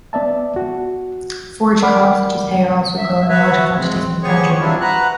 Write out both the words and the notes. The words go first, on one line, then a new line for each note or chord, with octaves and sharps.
Forage crops such as hay are also grown in large quantities in the county.
B3 D5 E5 A5
F#4
A#4 D5 F#5 B5 D6 F6
E5
F#4 B4 C#5 E5
G#3 C4
F3 B3 G4 G#4 C#5 C#6
F#3 G3 C4 D4 E4 F4
F#4 B4 A#5 F#6